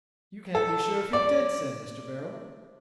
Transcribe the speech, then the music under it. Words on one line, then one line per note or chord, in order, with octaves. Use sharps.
"You can't be sure if he did sin, Mr. Beryl."
A4
D5